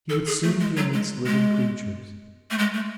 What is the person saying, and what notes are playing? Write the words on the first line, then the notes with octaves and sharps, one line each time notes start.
He would soon be amidst living creatures.
A4
G#4
A3
G#3
F#3
G#3
G#3
A3
G#3
A3